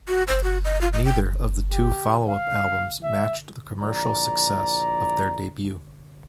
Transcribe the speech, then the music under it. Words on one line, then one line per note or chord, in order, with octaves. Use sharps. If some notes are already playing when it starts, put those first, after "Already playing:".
Neither of the two follow-up albums matched the commercial success of their debut.
F#4
C5
F#4
D#5
F4
D#5
G5
G4
F5
E5
A#1 E4 D5 A#5